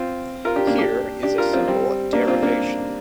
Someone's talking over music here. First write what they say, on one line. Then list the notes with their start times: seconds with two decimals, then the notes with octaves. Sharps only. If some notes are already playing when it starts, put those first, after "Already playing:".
Here is a simple derivation.
Already playing: C4 F4
0.45 F4 A#4
0.56 D4 G4
0.67 A#3 D4
0.78 D4 G4
1.23 D4 G4
1.38 F4 A#4
1.53 C4 F4
1.68 G3 C4
2.13 A#3 D4
2.27 C4 F4
2.42 A#3 D4